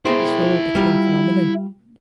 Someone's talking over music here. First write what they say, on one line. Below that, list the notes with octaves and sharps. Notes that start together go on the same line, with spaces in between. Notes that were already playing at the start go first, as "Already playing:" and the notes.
This role became phenomenon.
B3 E4 G#4 C5 G5
G3 F4 G4